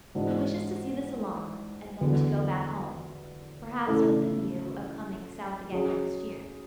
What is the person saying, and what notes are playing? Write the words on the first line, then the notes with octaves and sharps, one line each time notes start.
He wishes to see the Salon and then to go back home, perhaps with the view of coming South again next year.
G#2 E3 G#3 D4 F#4
E2 D3 F#3 B3
C#3 E3 A3 E4 A4
F#3 C#4 G#4